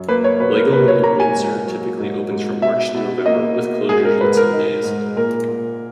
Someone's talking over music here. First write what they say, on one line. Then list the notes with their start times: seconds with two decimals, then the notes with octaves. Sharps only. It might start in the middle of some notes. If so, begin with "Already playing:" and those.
Legoland Windsor typically opens from March to November, with closures on some days.
Already playing: F#2
0.08 A#3 B4
0.24 C#5
0.40 B2 B4
0.56 A#4
0.72 A#3 B4
0.88 C#5
1.03 A#3 A#5
1.20 G#5
1.36 G#2
1.67 F#3
1.99 G#2
2.31 G#2
2.62 B2 E5
2.94 B2
3.26 A#3 D#5
3.57 B2
3.89 G#2 G#4
4.05 A#4
4.21 G#2 B4
4.37 A#4
4.53 D#4
4.84 G#2
5.16 A#2 A#4
5.48 A#2